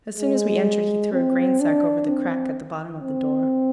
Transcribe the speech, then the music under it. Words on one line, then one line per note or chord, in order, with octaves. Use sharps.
As soon as we entered he threw a grainsack over the crack at the bottom of the door.
G#3
C4
D4
C4
C4